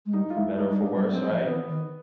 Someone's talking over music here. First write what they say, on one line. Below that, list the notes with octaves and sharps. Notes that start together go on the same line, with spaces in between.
For better or for worse, right.
G#3
G3 D#4
F4
G#3 E4
G#3 D#4
G3
G#3 D4
G3
G3
F#3 C4
F3
E3 B3
D#3